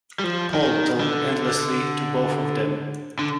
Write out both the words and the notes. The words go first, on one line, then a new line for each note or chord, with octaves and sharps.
Paul talked endlessly to both of them.
G3
F3
D#3
D3
D3